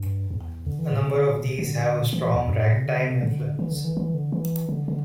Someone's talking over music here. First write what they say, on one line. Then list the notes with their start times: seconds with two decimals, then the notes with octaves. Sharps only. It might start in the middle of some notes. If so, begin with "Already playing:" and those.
A number of these have a strong ragtime influence.
Already playing: G2
0.31 E2
0.66 D3
0.79 E3
0.91 A2
0.98 C3
1.03 D3
1.59 D3
2.13 E3
2.35 E2
2.47 G2
2.60 A2
2.73 C3
2.86 D3
3.05 C3
3.23 D3
3.59 E3
3.71 D3
3.84 E3
3.97 E3
4.14 D3
4.32 E3
4.69 D3
4.88 D3